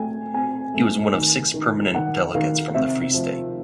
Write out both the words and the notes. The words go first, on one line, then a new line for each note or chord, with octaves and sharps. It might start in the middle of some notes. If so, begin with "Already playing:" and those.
He was one of six permanent delegates from the Free State.
Already playing: A3 C4 G5 G#5
C4 G#5
A3
D#3
D#3
D#3 F#5
D#3 F5
C3 E5
F3